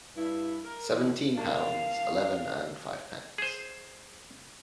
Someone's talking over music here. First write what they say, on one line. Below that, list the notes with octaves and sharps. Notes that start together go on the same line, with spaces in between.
Seventeen pounds eleven and fivepence.
G2 E4
A#4
E3
A#3 D4 F5
G#4 C5